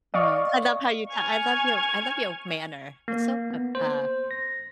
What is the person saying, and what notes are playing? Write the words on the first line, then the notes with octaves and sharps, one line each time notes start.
Mm, I love how you ta I love you I love your manner. It's so ab uh,
D5 D#5 F5 C#6
G#5 C#6 F6 G#6
A#3
B3
C5
A#6